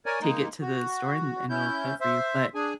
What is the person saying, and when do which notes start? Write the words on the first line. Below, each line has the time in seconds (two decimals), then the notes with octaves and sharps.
take it to the store and and it'll cut it for you, but,
0.06 A#4 C#5 D5 G#5
0.21 G#3 A#3 D#4
0.62 F#4
1.50 C#4 E4 G6
2.01 C5 E5
2.54 D4 G#4 G#5